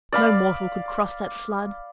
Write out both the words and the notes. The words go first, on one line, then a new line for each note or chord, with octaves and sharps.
'No mortal could cross that flood.
D5 F5 B5